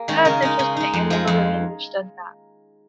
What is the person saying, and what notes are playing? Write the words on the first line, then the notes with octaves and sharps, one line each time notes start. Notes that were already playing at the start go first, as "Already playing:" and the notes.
That's interesting. I never really understood that.
Already playing: A#3 G#4
D#3 G#3 C#4
C#3 A#4
G#3 D#4
C#3
G#3 D#4
F2
F3 G#3
F2